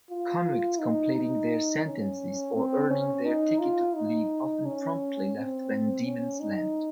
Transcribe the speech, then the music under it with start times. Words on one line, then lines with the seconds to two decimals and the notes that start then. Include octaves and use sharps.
Convicts completing their sentences or earning their ticket-of-leave often promptly left Van Diemen's Land.
0.10 F4
0.80 D#4
1.15 D#4
1.85 C#4
2.55 C4
2.90 C#4
3.26 D#4
3.60 F4
3.95 D#4
4.65 C#4
5.36 C4
6.05 C#4
6.40 D#4